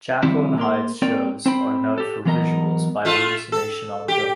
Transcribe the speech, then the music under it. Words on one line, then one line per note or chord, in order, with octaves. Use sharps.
Jackal and Hyde's shows are known for visuals by Hallucination on Film.
D#3 F3 G3 C4 E4
A#3 A#4 C6
A#3 C4 A#4 C#5 D5 G5
C4 C5 G5 B5
G4 A4
E3 F#3 B3 A#4 D#5 A#5
A3 F4
A4
G4